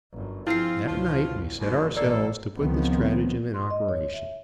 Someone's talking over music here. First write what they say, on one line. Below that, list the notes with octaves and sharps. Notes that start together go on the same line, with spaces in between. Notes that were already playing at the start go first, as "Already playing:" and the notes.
That night we set ourselves to put the stratagem in operation.
G1 F#2
F3 G#3 C4 E4 F4 C7
C#2 B2 F3 F4
F#1 D#2 C#3
A1 A#3 A4 D5
C#2 D#3 F3 B3 C4
C6
D#5
C#5
E5